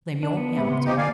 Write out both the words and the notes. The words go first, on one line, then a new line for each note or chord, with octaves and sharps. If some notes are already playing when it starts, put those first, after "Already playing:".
Lemuel Hamilton.
D4
B3
C3 G#3 E5 B5
C#3 C6
F3 D#4 G4
D3 A#3 D5 F5 G#5